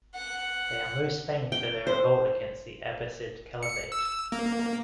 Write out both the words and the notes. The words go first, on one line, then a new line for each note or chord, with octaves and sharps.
They are most famed for their revolt against the Abbasid Caliphate.
F#5
G5
C5
C#7
E6
A#3